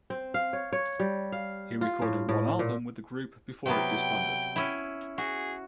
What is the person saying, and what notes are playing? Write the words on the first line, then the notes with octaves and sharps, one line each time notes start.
He recorded one album with the group before it disbanded.
C4
F5
C#5
C#5
G3
F5
F4
A2
A2
A#2
C3 F#3 B3 G5
C#4 E4
F#4 G#4